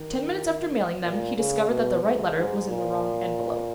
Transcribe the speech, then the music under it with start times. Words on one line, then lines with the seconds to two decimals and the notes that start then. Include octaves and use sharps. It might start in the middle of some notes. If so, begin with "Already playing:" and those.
Ten minutes after mailing them he discovered that the right letter was in the wrong envelope.
Already playing: D#3
1.03 A#2
1.36 C#3
1.70 B2
2.03 G#2
2.36 G#2
2.69 A#2